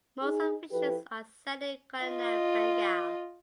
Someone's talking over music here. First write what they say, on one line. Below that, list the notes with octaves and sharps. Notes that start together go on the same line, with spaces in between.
Most of the fictions are set in colonial Bengal.
D#4 G#4
F3 E4 G4 A4 B4
F4 D#5